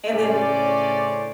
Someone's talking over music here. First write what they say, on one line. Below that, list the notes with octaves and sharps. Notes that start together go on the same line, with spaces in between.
and then,
A2 C#3 C#4 D4 C5 D5